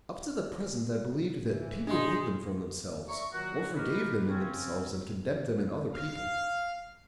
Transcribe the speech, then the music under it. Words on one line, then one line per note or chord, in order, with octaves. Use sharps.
Up to the present I believed that people hid them from themselves or forgave them in themselves and condemned them in other people.
G#2 C#3 E3
G#3 D4 D#4 C6
D5 E5 A#5 C#6
A#2 D#3 F#3 F#4
D#3 E4 G4 A#4 B4
C#3 C4 C#4
F5